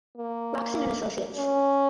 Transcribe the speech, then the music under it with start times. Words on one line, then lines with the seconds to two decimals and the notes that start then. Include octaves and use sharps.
Locsin and Associates.
0.17 A#3
1.36 C#4